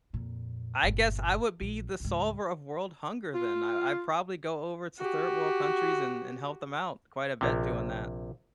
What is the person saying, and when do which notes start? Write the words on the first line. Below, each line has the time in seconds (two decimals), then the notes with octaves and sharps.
I guess I would be the solver of world hunger then. I I'd probably go over to third world countries and and help them out quite a bit doing that.
0.13 F2 A#2
0.83 G1 A#2
1.61 A#1
2.00 C#2 G#2
3.34 F4
4.98 F#4 G4
7.41 A#1 C3